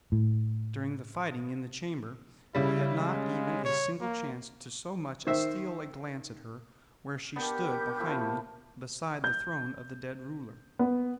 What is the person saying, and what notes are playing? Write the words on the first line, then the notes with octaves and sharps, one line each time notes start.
During the fighting in the chamber I had not even a single chance to so much as steal a glance at her where she stood behind me beside the throne of the dead ruler.
A2
C#3 G3 E4
G#3
C#5
A#3
D#3 C5 E5
B3 D4 G4 A#4 G6
F3 A3 E4
G6
B3